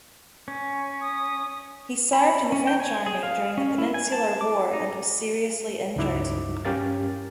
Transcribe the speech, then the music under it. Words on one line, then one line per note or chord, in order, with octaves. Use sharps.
He served in the French army during the Peninsular war and was seriously injured.
C#4
D#6
B5
C#4
G5
G#5
G#4
F5
C#4
E4
G#5
A5
D6
D#4
C#2 G2 F#3 D#4 E4 D6
G2 C#4 G4 A#4 F5 A6